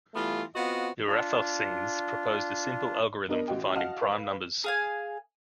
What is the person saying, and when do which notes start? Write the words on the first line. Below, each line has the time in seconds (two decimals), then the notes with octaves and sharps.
Eratosthenes proposed a simple algorithm for finding prime numbers.
0.14 E3 G3 A3 B3 F4
0.55 B3 C4 F4 F#4 D#5 F5
1.08 D4 F4
3.29 B3 D4 A#4 D#5
3.48 A1 F#4 D#5 G5
3.75 F#4 D#5 F5 F#5 A5 F6
4.01 B4 F5
4.64 G#4 F5 G#5